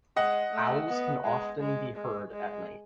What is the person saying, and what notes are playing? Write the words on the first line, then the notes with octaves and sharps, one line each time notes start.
Owls can often be heard at night.
G#3 D#5 F#5
A3
B3
G#3
G#3
G#3
G#3